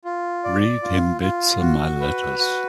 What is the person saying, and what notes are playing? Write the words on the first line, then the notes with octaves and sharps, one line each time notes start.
Read him bits of my letters.
F4
D5
F4
F4
F#4
B4
F#4